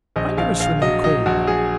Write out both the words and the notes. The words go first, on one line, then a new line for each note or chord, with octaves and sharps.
"I never swim in cold water."
A#1 D#5
A#1 F5
A#1 F5
F#3 D#5
F#3 D#5
A#1 F#4
F#3 G#4